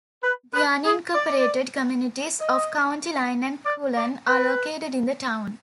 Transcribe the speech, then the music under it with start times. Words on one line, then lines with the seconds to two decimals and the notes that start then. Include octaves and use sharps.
The unincorporated communities of County Line and Cullen are located in the town.
0.22 B4
0.53 B4
0.84 G#4
1.15 D5
2.40 D#5
3.65 D5
3.96 D5
4.27 B4